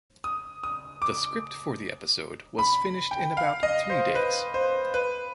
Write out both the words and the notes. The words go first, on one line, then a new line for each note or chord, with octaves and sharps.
The script for the episode was finished in about three days.
D#6
D#6
D6
B5
G5
F5
D#5
C5
B4
C5
B4